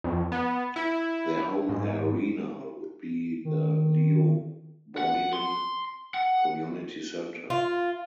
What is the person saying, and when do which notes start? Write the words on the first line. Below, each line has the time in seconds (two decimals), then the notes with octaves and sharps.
Their home arena would be the Leo Boivin Community Centre.
0.04 F2
0.32 B3
0.76 E4
1.69 G#2
3.45 D#3
4.98 F#5
5.33 C6
6.14 F#5
7.50 F4